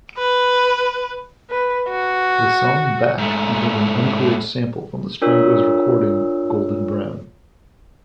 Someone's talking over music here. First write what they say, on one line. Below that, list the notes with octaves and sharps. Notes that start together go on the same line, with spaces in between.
The song "Back" contained an uncleared sample from the Stranglers' recording "Golden Brown".
B4
B4
F#4
G#2 A3
D4 F4 A#4 C#5 E6